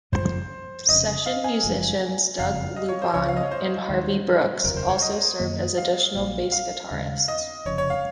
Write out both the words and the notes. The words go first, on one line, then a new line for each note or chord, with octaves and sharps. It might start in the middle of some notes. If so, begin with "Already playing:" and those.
Session musicians Doug Lubahn and Harvey Brooks also served as additional bass guitarists.
F#1 F#2 F3 C5
F1 F2 C#3 D#5
F5
G#5
F#1 F#2 F3 G#3
F#1 F2 C#3 F5
D#5
C#5
C5
C#2 C#3 F3 C#5
F5
D#5
C#5
C5
D#2 D#3 G#3
F1 D#2 C#3 F#3 A#4
C5
C#5
D#5
F#2 D#3 F#3 A#3
F5
A#1 A#2 F#3
F5
D#2 C#3 G#3
D#5
F1 F2 C#3 C#5
C#5
F5